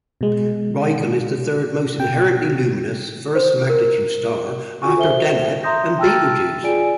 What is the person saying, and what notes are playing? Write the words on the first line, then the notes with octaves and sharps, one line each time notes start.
Rigel is the third most inherently luminous first magnitude star after Deneb and Betelgeuse.
B2 G#3
B2 G5
C5
A#4
F4 F#4 G#5 C#6
A4 C5 E5 G7
E5 A#5 C6 D#6 G6 A#6
G5 A5 E6 F6 A6
F4 G#4 D5 G#5 D7